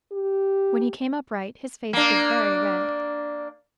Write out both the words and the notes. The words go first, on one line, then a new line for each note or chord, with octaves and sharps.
When he came upright his face was very red.
G4
A#3 D4